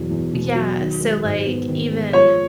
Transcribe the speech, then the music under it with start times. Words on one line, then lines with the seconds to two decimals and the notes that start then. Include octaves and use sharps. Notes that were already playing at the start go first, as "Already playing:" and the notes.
Yeah, so, like, even
Already playing: E2 B2 F#3
0.10 E2
0.33 B2
0.55 F#3
0.79 D#3
1.01 G#3
1.23 G#2
1.46 B3
1.69 D#3
1.91 G#3
2.13 F3 C#5